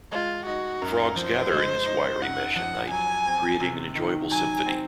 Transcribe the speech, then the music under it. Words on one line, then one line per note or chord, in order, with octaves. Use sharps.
Frogs gather in this wiry mesh at night, creating an enjoyable symphony.
G#3 F4
D#4 F#4
F#2 A#4
F3 C5
G#3
D#4
F#2 F#5
F3 F#5
F#3 G#5
C4
C3
D#3
F#3 G#5
C4